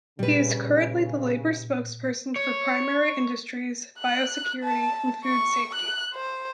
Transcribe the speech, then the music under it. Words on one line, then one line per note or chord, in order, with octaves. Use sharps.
He is currently the Labour spokesperson for Primary Industries, Biosecurity and Food Safety.
A#2 C#3 G3 B4
C#5
F#6
A5
C#6
F#6
C5